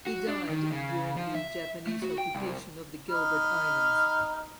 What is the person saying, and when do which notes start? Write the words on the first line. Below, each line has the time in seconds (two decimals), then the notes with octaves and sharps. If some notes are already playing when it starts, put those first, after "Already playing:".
He died during the Japanese occupation of the Gilbert Islands.
0.07 F#4
0.27 D4
0.49 D#3
0.71 C#3
1.17 F3
1.35 E5
1.87 A3
2.02 F#4
2.18 G5
2.35 C2
3.10 D#4 B5 F6